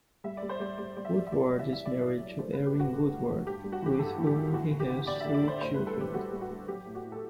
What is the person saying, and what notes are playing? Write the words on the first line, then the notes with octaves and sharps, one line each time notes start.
Woodward is married to Erin Woodward, with whom he has three children.
G3 E5
D5
G3
C5
G3 D5
G3 D5
G3 D5
E5
G3
E5
C2 D5
F#3
E5
C2
E5
F#3 D5
C2
F#3
A3 C5
B4
D3
G4
G2
F#4
D3
A3
A3
G2 G4
G3
F#4
E3 G4
G2 A4
E3
G4
G2
D2 F#4
D2
G4
D2
D2 D5
E5
D3
D5
D3 C5
A2 C5
B4
G3
A4
G3 G4
G3 F#4
G3
F#4
G3
F#3 G4
A2
F#4
A2
A4